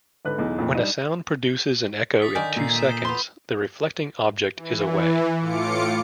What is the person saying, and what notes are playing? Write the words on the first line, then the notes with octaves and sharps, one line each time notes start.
When a sound produces an echo in two seconds, the reflecting object is away.
G#1 D3 B4 F#6
B1 E2
F2 A#2
G3 D4 D#4
D#6 A6 B6
D3 D#3 D5 G#5 G6
A#2 E6 C7
E5 D#7 E7
G7
B3 C6
E3
A2 F4 D6 C#7